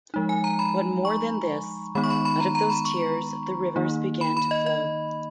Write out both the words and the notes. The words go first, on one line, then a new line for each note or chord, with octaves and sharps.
What more than this, out of those tears, the rivers began to flow.
F3 G#3 D#4
G#5
A#5
B5
C#6
D#3 G#3 B3 D#4 B5
C#6
B5
B5
A#5
A#5
B5
C#6
D#3 A#3 D#4
B5
B5
D#5
D#5